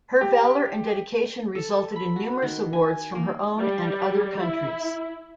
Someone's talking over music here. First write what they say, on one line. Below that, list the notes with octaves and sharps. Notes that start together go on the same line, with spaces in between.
Her valor and dedication resulted in numerous awards from her own and other countries.
G4
A4
B5
F#4
D#3
G#5
A#3
G3
E4